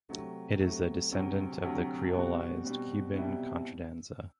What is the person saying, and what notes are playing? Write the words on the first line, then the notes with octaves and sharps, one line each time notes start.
It is a descendent of the creollized Cuban contradanza.
C3 F#3 A3 C4
C3 F#3 A3 C4
D2 C3 F#3 C4
D2 C3 F#3 C4
B2 G3 C4 F#4
B2 G3 C4 F#4
C2 B2 G3 C4 E4